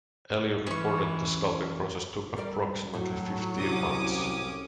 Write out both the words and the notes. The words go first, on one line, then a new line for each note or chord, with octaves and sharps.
Elliott reported the sculpting process took approximately fifteen months.
E3 C#4 C#6
G3 A#4 D5
A2 F#3
C2 C#4 D6 D#6